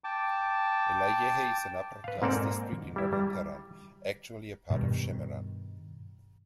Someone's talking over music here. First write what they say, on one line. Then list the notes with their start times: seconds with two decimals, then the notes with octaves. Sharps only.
Elahiyeh is an upper class district in Northern Tehran, actually a part of Shemiran.
0.04 G5 A5 D6
2.04 B4 F5
2.22 G#2 A#3 C4 A4 D5 A5
2.96 G3 E4
3.13 G3
4.70 G2 B2 D#3